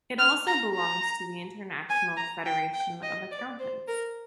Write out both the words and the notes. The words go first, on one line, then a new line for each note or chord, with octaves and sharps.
It also belongs to the International Federation of Accountants.
F6
A#5
A#5
G#5
A#5
G5
G5
D#5
D5
C5
A#4